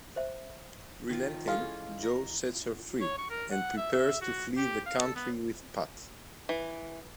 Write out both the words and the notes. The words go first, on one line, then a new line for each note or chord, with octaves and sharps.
Relenting, Joe sets her free and prepares to flee the country with Pat.
C5 E5
D#3 F3 F4
E3 G#3 C#4 F4 A4 F5 G#5
A#5
C#5
C#6
A#4
F#5
E5
E5
F#4
G4
F5
A4
B3
E3